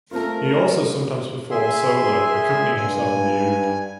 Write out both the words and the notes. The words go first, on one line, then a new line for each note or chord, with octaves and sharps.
He also sometimes performs solo accompanying himself on the oud.
A3 C4 F4 A#4
G#4 E5 C6
G2 G#5